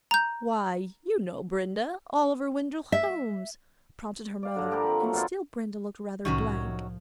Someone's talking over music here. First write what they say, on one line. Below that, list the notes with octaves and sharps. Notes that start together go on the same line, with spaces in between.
"Why, you know, Brenda, Oliver Wendell Holmes?" prompted her mother, and still Brenda looked rather blank.
A#5 G6
E5
D5 F5
G2 D3
F3 G4 A#4 B5
C4
F#3 A3
A#2 B3 E4 F4
C2 A2 D#3 F#3 C#4
F3